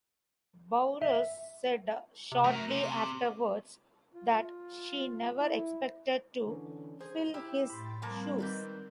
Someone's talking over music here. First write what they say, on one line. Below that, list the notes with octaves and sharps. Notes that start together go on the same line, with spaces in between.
Bowers said, shortly afterwards, that she never expected to "fill his shoes".
E5
C3
F#3 A3 A#4
C3
D6
F4
E4
D3 E3 C#4
G#4 C5
E4 G4
A2 G5 B5 C6 A6
F3 G3 A#3 C4 A5
G#2 D#3 B4 D5 G6